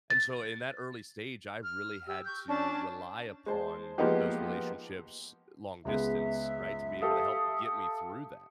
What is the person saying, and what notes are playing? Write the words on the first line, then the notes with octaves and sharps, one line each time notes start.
and so in that early stage, I really had to rely upon those relationships long distance, right, to be able to help get me through that
A6
F6
G4 E6
C#6 G6
C#4 D4 D5 A5
G#3 C5 A5
F3 G#3 A#3 B3 D#4 G4
C#2 G#3 B3 E5
G4 A4 F5 D#6